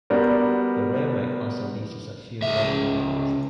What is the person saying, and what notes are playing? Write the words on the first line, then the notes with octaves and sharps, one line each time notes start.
The railway also leases a few locomotives.
G3 B3 D4 F#4 A#4
C#2 E5